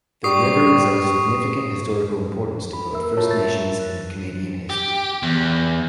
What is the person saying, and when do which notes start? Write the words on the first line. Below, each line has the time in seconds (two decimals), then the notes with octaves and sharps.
The river is of significant historical importance to both First Nations and Canadian history.
0.24 G3 C#6 D#6 C7
2.73 B5
2.93 A#3 A#4 E5 E6
3.17 F4 F#4 A#4 C#5 E5 A5
3.31 A6
3.80 F#6
4.70 G4
5.23 E2